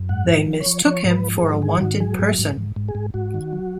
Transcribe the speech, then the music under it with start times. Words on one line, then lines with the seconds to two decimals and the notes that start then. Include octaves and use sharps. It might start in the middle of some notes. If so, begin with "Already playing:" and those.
They mistook him for a wanted person.
Already playing: F#2
0.09 G#2 F#5
0.29 F3
0.47 F3
0.60 C#5
0.66 F3
0.85 F3 C#5
1.04 G#2
1.11 B4
1.24 F3
1.37 G#4
1.43 G#2
1.62 D#3 G#4
1.81 G#2 F#4
2.00 F#3 G#4
2.19 G#2 G#4
2.39 G#2
2.57 G#2
2.76 G#2
2.88 G#4
2.95 G#2
3.14 G#2 F#4
3.34 D#3
3.53 F#3